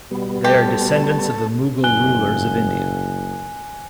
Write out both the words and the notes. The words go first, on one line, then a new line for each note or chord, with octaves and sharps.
They are descendants of the Mughal rulers of India.
B2 G3 B3
A3 G4 A4
F#1 G#5 F#6 G7